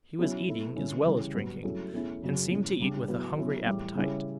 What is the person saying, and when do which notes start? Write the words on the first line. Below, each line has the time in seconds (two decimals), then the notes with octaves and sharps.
He was eating as well as drinking, and seemed to eat with a hungry appetite.
0.18 B2 F#3 C#4 E4
0.47 B2 A3 E4
0.76 D3 G3 C#4 E4
1.05 C#3 E3 G3 C#4 E4
1.34 G2 F#3 B3
1.63 G2 F#3 A3 C#4 E4
1.93 E2 B2 A3 C#4 E4
2.22 F#2 C#3 F#3
2.51 A2 G3 C#4
2.80 C#3 G3 D4
3.08 A2 F#3 B3
3.38 B2 F#3 C#4 E4
3.66 A2 E3 G3
3.95 C#3 G3 C#4 E4